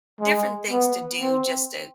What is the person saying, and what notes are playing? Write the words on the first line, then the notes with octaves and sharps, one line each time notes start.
different things to do just to
G#3
B3
C4